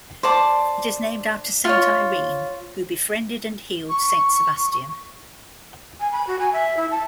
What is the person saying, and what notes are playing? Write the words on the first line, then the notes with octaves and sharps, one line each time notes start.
It is named after Saint Irene, who befriended and healed Saint Sebastian.
C5 D5 A5
F4 C#5
C#6
G#5
B5
F#4
G#5
E5
E4
A5